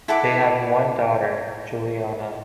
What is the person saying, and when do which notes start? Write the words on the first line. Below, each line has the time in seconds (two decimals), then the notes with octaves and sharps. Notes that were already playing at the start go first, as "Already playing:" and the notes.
They have one daughter, Juliana.
0.08 E4 A4 F#5 D6